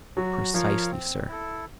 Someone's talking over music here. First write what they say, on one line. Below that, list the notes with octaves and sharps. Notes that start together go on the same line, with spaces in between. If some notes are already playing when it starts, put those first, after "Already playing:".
"Precisely, sir."
F#3 F#4
F3 A#4 C#5 F5
C4
E4 A4